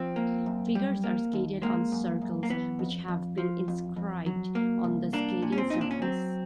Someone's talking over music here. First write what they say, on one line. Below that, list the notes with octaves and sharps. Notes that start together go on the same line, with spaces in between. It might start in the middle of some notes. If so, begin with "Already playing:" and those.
Figures are skated on circles, which have been inscribed on the skating surface.
Already playing: F3 C4
A#3
F#2
G3
A#3
D#2
G#3 A#3
F#2
F#2
A#3
E3 B3
F2
F2
F3
F2
F2
F#3
A#3
C2
A#3 D4
A#2
C#4
C4
A#2 D#4
D4
C#4
F#3 C4